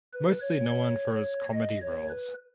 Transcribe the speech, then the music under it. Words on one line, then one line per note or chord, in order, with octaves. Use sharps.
Mostly known for his comedy roles.
B4
C#5
C#5
D#5
C#5
B4